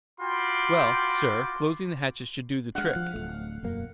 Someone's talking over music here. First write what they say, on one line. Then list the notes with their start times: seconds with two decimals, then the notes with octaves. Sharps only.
"Well, sir, closing the hatches should do the trick."
0.20 F4 F#4 G5 B5 C6 D6
2.75 G#3 D4 F5 F#5
2.96 F3
3.14 D1 B1 A3
3.63 E1 F#2 A#3